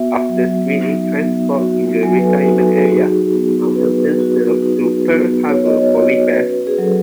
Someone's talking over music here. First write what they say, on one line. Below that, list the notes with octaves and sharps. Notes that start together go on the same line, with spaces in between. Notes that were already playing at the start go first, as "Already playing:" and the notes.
After screening transports in the retirement area, "Hamilton" sailed to Pearl Harbor for repairs.
Already playing: B3 F#4 E5
F#3
D#4
B3
F#4
F#3 G#5
B4
A4
D#4 F#4
A4
G#4
F#4
D#4 G#4
B3
B3 B4
F#4
D#4
B3
B3 C#5
D#5
C#5
F#4 C#5
C#5
C#4 B4
G#4
F#3 A4